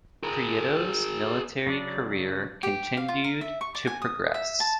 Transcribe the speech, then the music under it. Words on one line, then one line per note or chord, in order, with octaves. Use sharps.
Prieto's military career continued to progress.
G#4 A#4
C#3 F#3 D4 D5
G4
F5
F4
A#4
E5
C#6
D5
G#5
D#6
E5
A5